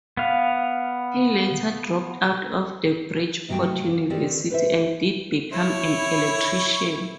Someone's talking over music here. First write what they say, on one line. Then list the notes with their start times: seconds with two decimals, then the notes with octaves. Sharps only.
He later dropped out of Bridgeport University and did become an electrician.
0.17 B3 F5
3.49 D#2 C3 F#3 A3 G5
3.84 F2
4.10 D#3 C4 G4 A4 D5
4.50 B4 C5 E5
5.52 E4 C#5